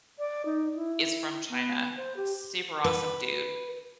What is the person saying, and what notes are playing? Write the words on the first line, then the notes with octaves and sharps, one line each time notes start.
is from China, super awesome dude,
D5
D#4
E4
B3
C5
G4
B4